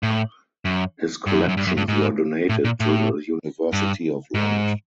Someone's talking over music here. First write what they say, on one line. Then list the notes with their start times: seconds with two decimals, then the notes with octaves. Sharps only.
His collections were donated to the University of Lund.
0.03 A2
0.65 F#2
1.27 G2
1.33 F#2
1.41 F2
1.49 F#2
1.57 G2
1.67 F#2
1.77 G2
1.88 G#2
2.49 A2
2.65 A#2
2.80 A2
3.73 G2
4.34 G#2